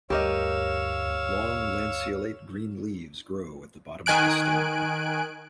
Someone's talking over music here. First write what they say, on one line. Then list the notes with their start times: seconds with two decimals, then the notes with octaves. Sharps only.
Long lanceolate green leaves grow at the bottom of the stem.
0.10 D2 G2 G4 A#4 C#5 D#5 F5 E6
4.06 D#3 G#5 F#6 D7